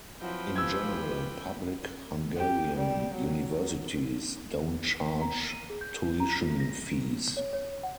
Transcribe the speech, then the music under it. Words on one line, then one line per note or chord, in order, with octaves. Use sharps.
In general, public Hungarian universities don't charge tuition fees.
F3 F#3 C4 E4 B4 G5
E3 F4 G4 E6 G#6
G4
G3
F#3
A#5
D#7
G#4
G6
A#5
F4
A#6
D7
C#5
C#5
F#5